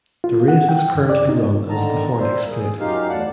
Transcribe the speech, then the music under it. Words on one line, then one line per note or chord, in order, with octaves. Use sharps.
The race is currently run as the Horlicks Plate.
F4
F#5
G5
F#2
D5
D#4
D3 D#3 A5 A#5
G3 A#3 C5 E5
G#4
F#2 D#4 F4 G4 F5
E2 A2 D5 F#5 A5